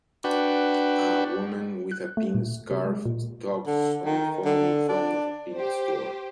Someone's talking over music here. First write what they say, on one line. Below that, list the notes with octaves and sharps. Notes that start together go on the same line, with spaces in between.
A woman with a pink scarf talks on the phone in front of a Pink store.
D4 F#4 B4 G5
F#6
A3
A#2
C3
G#3
A#2
D3
D#3
D3
D4
G4 C5